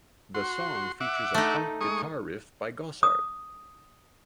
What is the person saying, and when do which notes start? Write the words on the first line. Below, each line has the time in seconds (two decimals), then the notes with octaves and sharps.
The song features a funk guitar riff by Gossard.
0.34 F#4 C6
1.00 E5 F#5 D6
1.34 A3 D#4
1.81 G#3 C#6 D#6
3.03 D#6